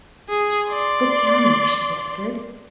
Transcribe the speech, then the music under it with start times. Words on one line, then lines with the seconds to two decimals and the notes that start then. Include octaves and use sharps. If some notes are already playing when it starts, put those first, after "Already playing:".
"Look yonder," she whispered.
0.29 G#4
0.69 D5 C6